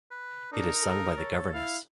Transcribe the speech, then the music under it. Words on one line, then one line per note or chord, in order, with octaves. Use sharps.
It is sung by the Governess.
B4
D4 D#4 A#4
A4
A4 C#5
E4 F5